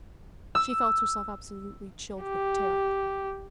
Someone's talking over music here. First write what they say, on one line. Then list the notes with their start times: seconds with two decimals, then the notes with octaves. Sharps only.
She felt herself absolutely chilled with terror.
0.55 E6
2.23 G4